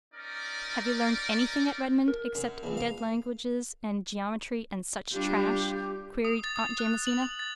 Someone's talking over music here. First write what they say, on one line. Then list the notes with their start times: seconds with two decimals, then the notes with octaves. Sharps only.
"Have you learned anything at Redmond except dead languages and geometry and such trash?" queried Aunt Jamesina.
0.14 C#4 D#4 A#4 D5
2.08 A#4
2.35 F#2
2.63 A#1 E2
2.77 F5
5.12 G3 D4 F4 G4 G6
6.25 D#6
6.44 A6
6.56 D#6
6.78 F#6
7.07 F#7
7.22 F#7
7.39 A6